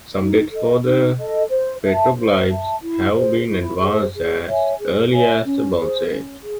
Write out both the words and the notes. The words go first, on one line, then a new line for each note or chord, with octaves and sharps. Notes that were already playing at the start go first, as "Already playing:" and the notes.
Some dates for the petroglyphs have been advanced as early as the Bronze Age.
D#4
A4 D#5
D#4
A4 D#5
C5
E5 A5
C5
E5 A5
E4
G#4 C5
E4
G#4 C5
G#4
C#5 E5 G#5
G#4
C#5 E5 G#5
C#4
G#4 C5
C#4
G#4